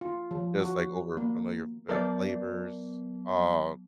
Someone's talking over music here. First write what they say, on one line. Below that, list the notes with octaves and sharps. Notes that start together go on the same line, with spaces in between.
Just, like, over familiar fa uh, flavors, uh,
F4
F3
F#4
A#3
F#3 B3 A#4 D5